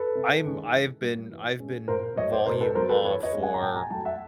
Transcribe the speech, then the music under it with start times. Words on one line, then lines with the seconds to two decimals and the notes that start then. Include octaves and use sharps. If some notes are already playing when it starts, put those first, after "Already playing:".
I'm I've been I've been "volume off" for
Already playing: A4 B4
0.15 C3
0.44 D#3 G#3 C#4
0.73 E3
1.02 G3 A#3
1.31 E3
1.59 G#3 C#4
1.88 A#2 A#4 C5
2.17 F#3 C#5 D#5
2.20 A3
2.32 C5 D5
2.46 B2 A#4 C5
2.60 A4 B4
2.75 F#3 B3 A#4 C5
2.89 A4 B4
3.04 E3 B4 C#5
3.23 C#5 D#5
3.33 G#3 C#4
3.43 F#5 G#5
3.54 A#5
3.61 A#2 G5 A5
3.76 G#5 A#5
3.90 F#3 G5 A5
3.94 A3
4.05 E5 F#5